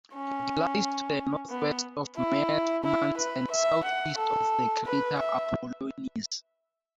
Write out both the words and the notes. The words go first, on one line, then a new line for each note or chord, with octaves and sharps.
It lies to the northwest of Mare Spumans and southeast of the crater Apollonius.
C#4
B3
E4
E4
B4
E5
F#5
A4
B4
E5